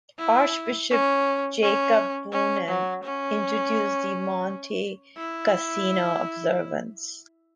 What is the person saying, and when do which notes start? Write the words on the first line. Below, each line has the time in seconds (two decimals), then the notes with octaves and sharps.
Archbishop Jacob Boonen introduced the Monte Cassino observance.
0.19 E4
0.91 C#4
1.62 C#4
2.32 C#4
2.68 F#3
3.04 C#4
5.17 E4